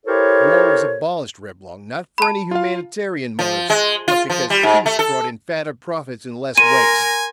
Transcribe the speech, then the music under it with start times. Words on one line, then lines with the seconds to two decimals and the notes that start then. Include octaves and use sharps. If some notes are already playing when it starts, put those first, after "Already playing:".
War was abolished, Reblong, not for any humanitarian motives, but because peace brought in fatter profits and less waste.
0.06 E4 G4 A4 A#4 C5 C#5
2.18 A5 B5
2.51 F4 F5
3.39 F3
3.70 G#3
4.08 F4
4.30 F3
4.50 G3
4.63 G#2
4.86 A3
4.99 A4
6.58 A#4 G#5 C6 D#7